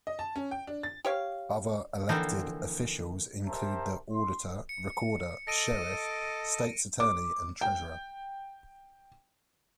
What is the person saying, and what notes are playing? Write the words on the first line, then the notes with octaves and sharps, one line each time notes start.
Other elected officials include the auditor, recorder, sheriff, state's attorney, and treasurer.
D#5
A5
C#4
G5
D4
A6
G4 C#5 F5
D3 E3 F3 A#3 C4 D#4
G4 A#4 C5 E5 A5 A#5
C6
C#7
A4 D#5 A5 A#6 D7 D#7
D6
G5